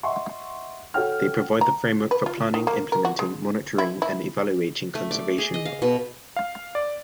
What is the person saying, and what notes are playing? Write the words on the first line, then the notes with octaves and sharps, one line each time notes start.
They provide the framework for planning, implementing, monitoring and evaluating conservation work.
D#5 E5 F#5 C6 C#6
F#4 A4 C#5 F#5 G5 F6
A#5
B4
F4
D#3
A#3
A#4
F#4
G#3
E4
E4
A3
D5
G#4
D#5
F5
B2
F5
D5